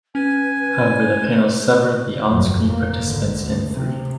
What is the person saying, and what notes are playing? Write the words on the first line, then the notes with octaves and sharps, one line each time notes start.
However, the panels sever the onscreen participants in three.
C#4 B4 G#5
G1 F2 A#2 F#3
A#3
G#1 D3
D2
C3